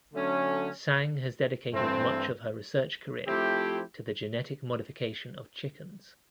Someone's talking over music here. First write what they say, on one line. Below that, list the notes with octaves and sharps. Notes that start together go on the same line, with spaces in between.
Sang has dedicated much of her research career to the genetic modification of chickens.
D3 F#3 A3 C#4
G2 E3 A3 C4
F3 A3 C4 E4 G4